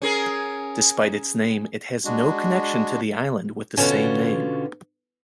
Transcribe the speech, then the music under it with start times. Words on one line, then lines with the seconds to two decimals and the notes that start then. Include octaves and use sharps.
Despite its name, it has no connection to the island with the same name.
0.02 C#4 G#4 A#4
2.05 G#3 D4 F#4
3.77 B2 D3 C#4 F4 F#4